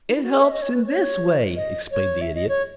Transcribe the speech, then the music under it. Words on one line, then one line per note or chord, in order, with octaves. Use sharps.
"It helps in this way," explained the Idiot.
D#4
E4
F#4
G#4
E5
D#5
C#5
B4
C#5
D#5
C#5
E5
D#5
C#5